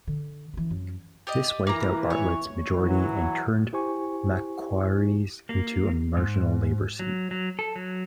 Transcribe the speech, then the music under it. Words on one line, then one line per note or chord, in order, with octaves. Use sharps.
This wiped out Bartlett's majority and turned Macquarie into a marginal Labor seat.
D3
D3 E3
F#2
G4 D5 D#5
E3 A#3 A#5
C#5
E3 F#3
E4 G4 C5 G#5 C#6
A#3
G#2
F#3
F#3
A4
F#3